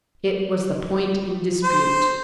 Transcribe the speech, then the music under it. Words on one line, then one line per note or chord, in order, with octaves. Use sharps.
It was the point in dispute.
C5